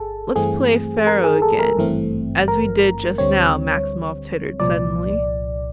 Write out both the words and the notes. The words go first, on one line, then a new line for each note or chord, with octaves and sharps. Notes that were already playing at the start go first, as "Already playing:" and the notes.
"Let's play faro again, as we did just now," Maximov tittered suddenly.
Already playing: G1 G#4 A4
G2 E3 A3 C4 G#4
A#4
G#4
A4
A#4
G#1 G2 E3 A3 C4
A#4
D2 D3 G3 C4 C#5
C2 A#2 F3 D5